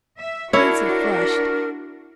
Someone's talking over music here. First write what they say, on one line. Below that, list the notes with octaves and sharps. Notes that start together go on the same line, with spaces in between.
Nancy flushed.
E5
D4 E4 F#4 A#4 C#5